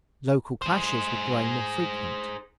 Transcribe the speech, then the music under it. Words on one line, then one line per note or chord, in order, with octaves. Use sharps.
Local clashes were growing more frequent.
G#4 C5